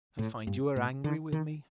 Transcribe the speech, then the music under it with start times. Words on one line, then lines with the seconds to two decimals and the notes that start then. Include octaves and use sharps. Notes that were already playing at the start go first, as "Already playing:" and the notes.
I find you are angry with me.
0.19 A2
0.47 G2
0.76 A2
1.04 D3
1.32 D#3